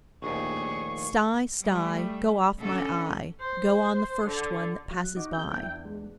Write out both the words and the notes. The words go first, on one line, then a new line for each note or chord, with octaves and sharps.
Sty, sty, go off my eye, Go on the first one that passes by.
A#1 D#2 A3 D4 G#4 C#6
G3 A3
D3 C#4 A4
C5
D3
F#3 F5 F#6
D#4 F#4 D#5 D6
C4 G#4 G6
E2 D4 E4 G5
G#3